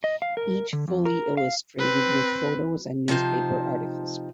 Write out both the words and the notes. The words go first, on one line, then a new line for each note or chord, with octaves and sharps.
Each fully illustrated with photos and newspaper articles.
D#5
F5
A#4
D3
F2
A#4
F5
C4 B4
C3 F3 D#4 C5 A5